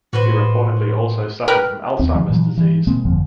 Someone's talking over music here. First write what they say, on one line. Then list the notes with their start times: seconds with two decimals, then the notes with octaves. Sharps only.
He reportedly also suffered from Alzheimer's disease.
0.13 A2 F#4 B4 C5
1.48 A#4 B4 G5 F6 F#6
1.99 D#2 C4
2.15 D#3 F3 G#3
2.30 A#2 E3 F#3
2.57 E3
2.87 B2 G#3 A#3 C4
3.05 G1 F2 D3 F3